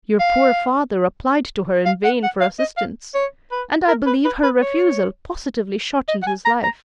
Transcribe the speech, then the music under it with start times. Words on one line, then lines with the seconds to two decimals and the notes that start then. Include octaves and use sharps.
Your poor father applied to her in vain for assistance, and I believe her refusal positively shortened his life.
0.20 F5
1.85 F5
2.04 F#5
2.23 F#5
2.40 F5
2.59 D#5
2.77 F5
3.14 C#5
3.51 B4
3.88 A#4
4.06 B4
4.25 B4
4.43 B4
4.61 C#5
6.08 D#5
6.22 F#5
6.27 G#5
6.45 A#5
6.63 A#5